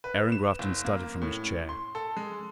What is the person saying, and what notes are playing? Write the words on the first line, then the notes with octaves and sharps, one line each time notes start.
Aaron Grafton started from his chair.
B4
E7
F#1
A#3
A2
C6
A4
G#3